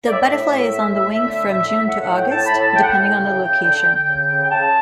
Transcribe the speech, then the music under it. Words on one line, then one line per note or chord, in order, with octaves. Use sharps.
The butterfly is on the wing from June to August, depending on the location.
D5
A2 E5
A2
A2
A2
A3
D3
A2
A2
A2 F#5
F#5
A2
G5
A2 A5
B5
A2
A5
A2 G5
F#5
G5
A2
C#3
C#3
D3
D3
C#3
C#3
G5
C#3 A5